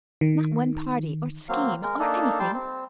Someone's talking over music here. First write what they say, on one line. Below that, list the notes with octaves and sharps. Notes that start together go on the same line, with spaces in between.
Not one party, or scheme, or anything.
D#3
F#3 A#3 C4 F5
G#3 A#4
A#3 D4 D#4 A4
G3 G5 A5 C6
C4